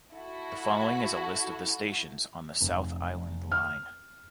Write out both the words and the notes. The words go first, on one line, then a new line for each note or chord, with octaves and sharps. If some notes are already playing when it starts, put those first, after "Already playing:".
The following is a list of the stations on the South Island Line.
E4 F#4 A4
F1
F6